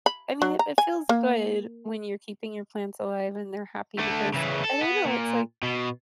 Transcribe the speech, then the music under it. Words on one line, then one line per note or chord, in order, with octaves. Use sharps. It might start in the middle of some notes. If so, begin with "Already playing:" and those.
I mean, it it feels good when you're keeping your plants alive and they're happy because I don't know, it's, like,
B5
F#3
A#5
G#5
A#3
D3 A3
C#3 E3
A4
B3
A#2
B2